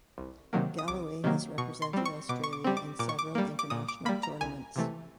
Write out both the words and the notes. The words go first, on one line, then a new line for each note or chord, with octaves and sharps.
Galloway has represented Australia in several international tournaments.
C2
C3 D#3 F#3 A#3
D#6
C2 D6
C3 D#3 F#3 A#3
B2 C#6
C6
G3 C4
C#6
B2 D6
C#6
D6
G3 C4
D6
A#2 D6
C#6
D6
G3 A#3
D6
A#2 D#6
D6
G3 A#3 B5
A#5
C2 G#5
C3 E3 A3